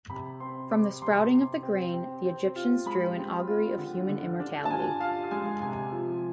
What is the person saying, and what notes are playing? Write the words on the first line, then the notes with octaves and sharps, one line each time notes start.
From the sprouting of the grain the Egyptians drew an augury of human immortality.
C3 B5
C4 C6
C4 D6
C3 C6
C4
C4
C4
C4
F4
G#3 B5
C4
F4
D3
D3
D4
A5
F4 G#5
F4 F5
F5
G#3 G#5
C3 G#5
F3